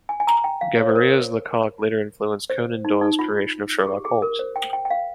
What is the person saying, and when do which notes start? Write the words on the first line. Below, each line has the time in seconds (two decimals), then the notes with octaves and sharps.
Gaboriau's Lecoq later influenced Conan Doyle's creation of Sherlock Holmes.
0.09 G#5
0.20 G#5
0.27 A#5
0.44 G5
0.61 F5
0.78 C#5
0.89 C5
0.96 A#4
2.50 C5
2.85 D#4
3.01 D#4
3.19 F4
3.79 G#4
3.87 G4
4.05 G#4
4.22 A#4
4.39 C5
4.56 G5
4.73 G5
4.85 G5
4.90 F5